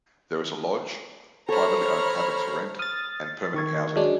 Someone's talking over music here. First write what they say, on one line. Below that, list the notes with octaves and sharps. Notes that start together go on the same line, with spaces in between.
There is a lodge, privately owned cabins for rent, and permanent housing.
A4 C5 C#5 A#5 B5 F6
D#6 F6 A6
D#3 C#6 G#6
F#3 G#3 D4